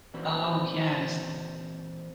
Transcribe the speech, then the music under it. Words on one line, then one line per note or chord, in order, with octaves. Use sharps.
Oh, yes.
A#2 E3 C4 F#4 B4